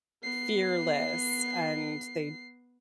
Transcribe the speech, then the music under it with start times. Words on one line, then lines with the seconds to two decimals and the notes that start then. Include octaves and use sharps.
fearless, and they
0.23 B3 C7